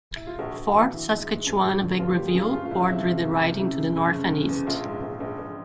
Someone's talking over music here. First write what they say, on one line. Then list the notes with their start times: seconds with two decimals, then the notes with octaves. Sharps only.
Fort Saskatchewan-Vegreville bordered the riding to the north and east.
0.16 E4
0.27 F4
0.39 A#1 F#4
0.57 A#1
0.66 F#4
0.74 E3
0.92 E3 E4
1.10 G#2
1.28 G#2
1.46 G2
1.64 F#3
1.81 D3
1.99 G2 F4
2.13 A#3 G4
2.27 G#4
2.35 G2 F4
2.53 F#1 F4
2.65 F4
2.71 F#1 E4
2.88 C3 E4
3.06 C3
3.25 F#1
3.42 C3
3.59 C#3 E4
3.77 C#3
3.96 F#1
4.13 C#3
4.31 C#3
4.48 E2
4.67 A#1 F4
4.85 G#2
5.02 A#1
5.20 A#1
5.38 A#1